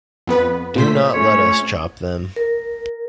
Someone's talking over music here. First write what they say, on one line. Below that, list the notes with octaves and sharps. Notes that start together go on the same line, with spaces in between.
Do not let us chop them.
F2 B3 B4
A#2 A3 C5 B6
A3 C#4 C#5
A#4